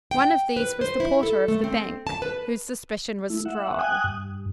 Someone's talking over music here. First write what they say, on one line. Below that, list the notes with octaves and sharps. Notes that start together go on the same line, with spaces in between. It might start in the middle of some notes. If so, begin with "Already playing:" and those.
One of these was the porter of the bank, whose suspicion was strong.
G5
B4
C5
E4
A4
A3
C4
A5
B4
A3 E4
E5 F#5
G5 G#5 D#6 F#6
G2